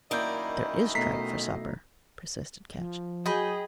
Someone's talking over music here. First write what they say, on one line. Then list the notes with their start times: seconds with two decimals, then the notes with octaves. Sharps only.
"There is tripe for supper," persisted Ketch.
0.11 F#2 D#3 A#3 D#4 E4 D5 D#5 G6
0.95 B2 A3 A#5 B6 C7
2.79 F3
3.26 F#3 G#4 D#5 G5 G#5 B5 G6